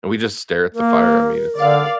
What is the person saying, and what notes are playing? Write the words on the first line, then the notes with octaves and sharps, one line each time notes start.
and we just stare at the fire, I mean, it's
A#3 A#4
D3 D5 F5